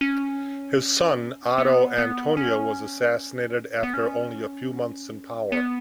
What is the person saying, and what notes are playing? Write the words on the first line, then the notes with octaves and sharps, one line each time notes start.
His son, Oddo Antonio, was assassinated after only a few months in power.
C#4
B3
B3
C#4
B3
C#4
B3